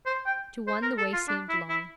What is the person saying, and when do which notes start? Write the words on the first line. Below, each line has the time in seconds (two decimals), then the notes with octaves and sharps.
To one the way seemed long.
0.06 C5
0.26 G5
0.67 C5
0.82 A#4
0.98 A4
1.13 F4
1.28 D4
1.49 E4
1.69 E4